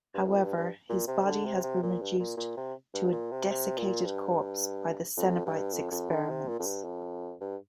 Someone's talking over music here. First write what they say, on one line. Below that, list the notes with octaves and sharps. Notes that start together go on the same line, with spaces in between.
However, his body has been reduced to a desiccated corpse by the Cenobites' experiments.
G2
F2
A#2
G2
G2
A#2
C3
D3
C3
C3
A#2
G2
A#2
A#2
C3
G2
A#2
C3
C3
A#2
G2
F2
G2
F2
F2
D3
C3
A#2
F2
G2
F2
G2